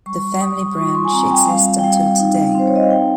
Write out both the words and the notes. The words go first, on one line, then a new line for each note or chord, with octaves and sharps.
The family branch exist until today.
G3 C#6
G3 D#6
F4 C#6
C6
G#5
C4 A#5
G5
G3 F5
G5
G3 F5
D#4
C4 C5
C#5
D#5
F5
D#4 G5